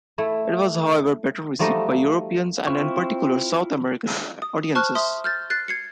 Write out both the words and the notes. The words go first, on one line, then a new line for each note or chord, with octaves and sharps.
It was however better received by Europeans and in particular, South American audiences.
A3 E4
F3 G3 A3 D#4 F#4 D#5
C4 E4 F4 C#6
D#6
C5 A5 C#6 F6 F#6
E5 C6 D#6
F6 G6 A6
F#6 A6 C7
G#6 C7 C#7